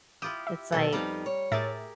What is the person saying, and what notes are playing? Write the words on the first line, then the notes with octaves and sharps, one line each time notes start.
It's, like,
E4 F4 G4 D#6
E5
B2 D#3 F#3 A4
F2 G3 B3 D#4 F5 A#5
C#5
A2 G4 G#4 A#4 E5 A6